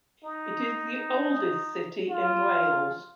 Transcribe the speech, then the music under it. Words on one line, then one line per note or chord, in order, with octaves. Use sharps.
It is the oldest city in Wales.
D#4
F4